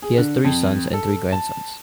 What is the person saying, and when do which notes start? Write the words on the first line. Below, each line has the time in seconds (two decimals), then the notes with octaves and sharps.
He has three sons and three grandsons.
0.02 G#4
0.18 D3
0.45 F2
0.93 A4
1.32 A5